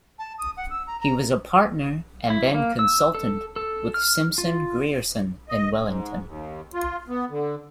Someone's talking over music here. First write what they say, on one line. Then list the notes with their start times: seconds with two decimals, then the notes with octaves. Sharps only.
He was a partner and then consultant with Simpson Grierson in Wellington.
0.19 A5
0.38 D#6
0.57 F#5
0.70 E6
0.87 A#5
1.00 A#5
2.30 E4
2.54 A#3
2.79 E6
3.15 A4
3.56 A4
3.94 F6
4.38 F4
5.49 D#5
5.82 G#2
6.24 D#2
6.73 F4
7.08 B3
7.30 D3